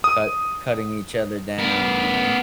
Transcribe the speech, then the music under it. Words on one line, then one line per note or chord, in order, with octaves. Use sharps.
cut cutting each other down, you know?
D#6
B3 A#4